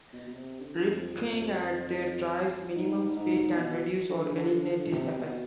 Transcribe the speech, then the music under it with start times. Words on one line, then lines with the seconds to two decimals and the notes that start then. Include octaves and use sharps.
Ripping at the drive's minimum speed can reduce or eliminate this effect.
0.13 B2
0.28 B2
0.34 C3
0.59 D3
0.87 F2
1.14 F2
2.75 G#2
3.16 G#2
3.56 B2
4.10 D3
4.37 D3
4.65 D3
4.91 C3
5.18 B2